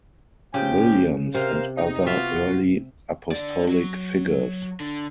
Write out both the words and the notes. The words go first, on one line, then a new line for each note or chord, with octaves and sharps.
Williams and other early Apostolic figures.
C#3 F3 G4 G5
C3 A#4 C5 F5
D#4
B3 F4 F#4 E5
D3 D5
F#3
D3